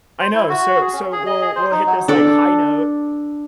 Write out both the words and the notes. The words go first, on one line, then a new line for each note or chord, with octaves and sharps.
I know. So so, we'll we'll hit this, like, high note
C5
E4
F#4
G#4
C#4
G#4
D#5
G#4
C5
D#4
F#3
D4 A4